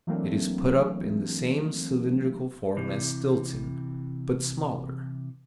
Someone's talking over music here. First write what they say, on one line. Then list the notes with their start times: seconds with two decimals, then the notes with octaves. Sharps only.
It is put up in the same cylindrical form as Stilton, but smaller.
0.07 E3 F#3 A3 A#3 C4 D4
2.77 C3 E3